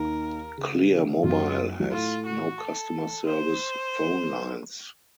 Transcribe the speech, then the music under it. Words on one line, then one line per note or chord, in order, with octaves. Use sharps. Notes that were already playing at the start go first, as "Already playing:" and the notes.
Clear Mobile has no customer service phone lines.
Already playing: D#2 D#3 A#4
C#3
F#2 F#3 F4
F#3
A2 A3 F4
F#4
A4
C5